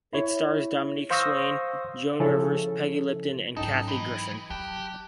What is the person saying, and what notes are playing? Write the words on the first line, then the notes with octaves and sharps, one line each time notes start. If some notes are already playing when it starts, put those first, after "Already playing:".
It stars Dominique Swain, Joan Rivers, Peggy Lipton and Kathy Griffin.
E4 C#5
C5 F5 C#6 D#6 E6 A#6
C#3 F3 C#4 E4 A4
G#2 F#3 C#4 D#4 A4 G5
E3 D#5 B5
F#3 G4 A5 F#6